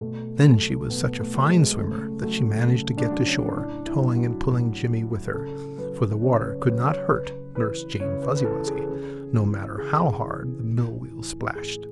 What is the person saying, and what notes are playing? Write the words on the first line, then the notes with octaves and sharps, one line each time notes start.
Then she was such a fine swimmer that she managed to get to shore, towing and pulling Jimmie with her, for the water could not hurt Nurse Jane Fuzzy-Wuzzy, no matter how hard the millwheel splashed.
B2 A3
F#3 A3
B2 B3
A3
F#3
G#3
C#3 A3
F#3 A3
C#3
D4
F#3
C#4
A2 D4
E4
F#3
F#4
A2
F#3
C#3 A4
F#3 B4
C#3 C#5
B4
C#5
F#3 B4
C#5
C#3 B4
E3 B4
C#3 C#5
B4
B4
E3 A4
G#4
C#3
E3
C#3 G#4
E3
A2
E3
A2 G#4